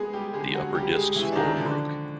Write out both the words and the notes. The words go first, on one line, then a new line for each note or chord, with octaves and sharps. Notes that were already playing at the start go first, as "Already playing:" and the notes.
The upper disc's floor broke.
Already playing: G#3 B3 G#4
G3 G4
D3 G#3 G#4
F#3 F#4
C#2 G3 G4
G#3 G#4
B2 E3 E4
D4
D#3 D#4
D3 F3 D4